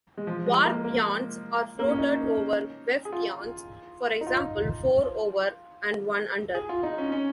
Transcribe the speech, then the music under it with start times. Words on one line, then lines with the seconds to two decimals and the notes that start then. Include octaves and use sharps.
Warp yarns are floated over weft yarns, for example four over and one under.
0.17 G#3
0.27 F3
0.46 G#3
0.65 A#3
0.84 A#3
1.79 A#3
1.88 C#4
1.98 D#4
3.05 G#4
3.12 F4
4.21 D#4
4.27 F4
6.55 G#4
6.69 F4
6.83 D#4
6.98 C#4
7.12 C#4